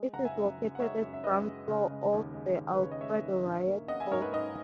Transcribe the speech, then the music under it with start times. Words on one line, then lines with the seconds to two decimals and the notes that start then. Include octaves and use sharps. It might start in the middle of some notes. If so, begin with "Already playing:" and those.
It is located at the Ground Floor of the Alfredo Reyes Hall.
Already playing: G#3
0.13 F#1 F#5 A#5
0.25 E5 G#5
0.36 F#2
0.58 F#1
0.75 F#5
0.80 G#3 C#5 E5
1.01 F#2
1.14 E5
1.24 F#2 B4 D#5
1.47 G#3
1.68 C#3
1.91 G#3
2.13 D#2
2.34 G#3
2.57 D#2
2.74 B4
2.78 C#3
2.83 C#5
2.92 D#5
3.01 G#3 C#5 E5
3.22 D#2
3.45 A#1
3.67 A#3
3.88 A#3 D#5 F#5
4.00 E5 G#5
4.11 G#2 A#4 C#5
4.22 B4
4.33 G#2 B4 D#5